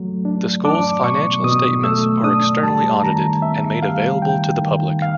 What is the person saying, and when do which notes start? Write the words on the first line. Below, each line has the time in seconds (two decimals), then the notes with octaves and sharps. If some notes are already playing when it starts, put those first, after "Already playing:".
The school's financial statements are externally audited and made available to the public.
Already playing: F#3 A3
0.25 D4
0.65 D4 D6
1.04 B2 C#6
1.44 B2 D#6
1.84 A3 E6
2.24 D4 D#6
2.63 G3 A5
3.03 D#3 A#5
3.42 B3 E5
3.83 G3 F5
4.22 D#3 G5
4.62 D#3
5.02 F5